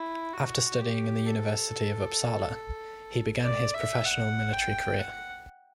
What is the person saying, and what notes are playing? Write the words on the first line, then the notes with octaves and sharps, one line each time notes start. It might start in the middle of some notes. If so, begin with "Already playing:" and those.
After studying in the University of Uppsala, he began his professional military career.
Already playing: E4
F#4
G4
A4
D5
E5
F#5
G5
F#5